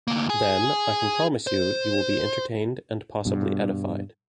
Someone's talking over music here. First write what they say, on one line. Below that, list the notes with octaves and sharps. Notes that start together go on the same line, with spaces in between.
Then, I can promise you, you will be entertained and possibly edified.
D2 A#3
G#4 G#5
C5
G2 B2